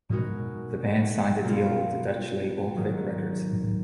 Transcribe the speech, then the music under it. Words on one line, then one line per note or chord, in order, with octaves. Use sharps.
The band signed a deal with the Dutch label Vic Records.
B2 G#3 D#4 F#4 A#4
B2 A#3 F4
G#2 D#3 F#3